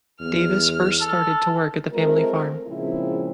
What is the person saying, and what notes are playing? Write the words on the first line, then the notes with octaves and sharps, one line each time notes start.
Davis first started to work at the family farm.
E2 F6
A4
G#3 A3 C4 F4 A#4
A#2 C#3 F3 G#3 C4 E4